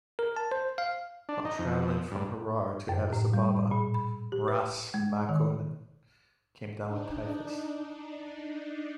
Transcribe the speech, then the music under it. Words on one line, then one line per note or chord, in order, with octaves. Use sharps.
While travelling from Harar to Addis Ababa, "Ras" Makonnen came down with typhus.
A#4
A5
C5
F5
D4
D#4
F2
G2
F#2
A2
G3
A#2
B5
G4
B4
G#3
D#3
D4 D#4